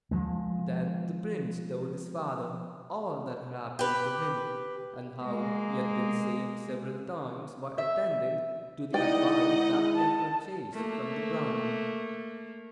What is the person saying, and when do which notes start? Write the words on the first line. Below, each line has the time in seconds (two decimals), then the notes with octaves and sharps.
Then the prince told his father all that had happened to him, and how he had been saved several times by attending to the advice that he had purchased from the Brahmani.
0.11 F3 G#3 A#3
3.79 G4 B4
5.23 G#3 A#3
7.78 E5
8.94 G#3 D#4 E4 D5 D#5 F#5 G5
9.94 A5
10.74 A3 A#3